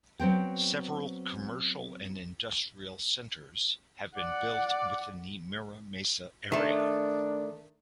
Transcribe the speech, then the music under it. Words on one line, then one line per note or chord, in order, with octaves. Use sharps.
Several commercial and industrial centers have been built within the Mira Mesa area.
F#3 B3 C4 G5
D5 F#5
D#3 A3 D4